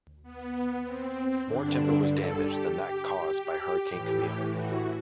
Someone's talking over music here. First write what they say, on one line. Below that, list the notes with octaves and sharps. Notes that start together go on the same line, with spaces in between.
More timber was damaged than that caused by Hurricane Camille.
B3
C4
G2 D3 D4
A4
G4
G4
A2 E3
F#4